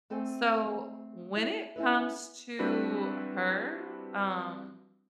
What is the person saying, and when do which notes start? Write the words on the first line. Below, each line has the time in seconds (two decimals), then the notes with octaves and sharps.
So, when it comes to her, um,
0.10 A3 C4 A4 C5 G#5
1.36 E4
1.76 C#4 E4 A4 B4
2.59 G3 C4 D4 E4 F#4 B4